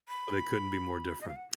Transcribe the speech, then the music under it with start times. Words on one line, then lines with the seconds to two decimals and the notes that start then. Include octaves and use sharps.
They couldn't be more different.
0.08 B5
1.21 D#5
1.28 F5
1.36 F#5